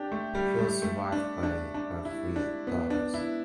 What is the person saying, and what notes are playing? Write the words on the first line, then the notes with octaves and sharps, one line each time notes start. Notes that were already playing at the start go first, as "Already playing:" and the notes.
She was survived by her Three daughters.
Already playing: D4 G4
A3
G3
A3
A3
D4
D4
D4
E4
D4
B3
D4
E4